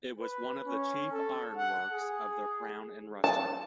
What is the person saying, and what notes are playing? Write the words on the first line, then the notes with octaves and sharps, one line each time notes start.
It was one of the chief ironworks of the crown in Russia.
B4
C#4
A4
F#5
G#4
A5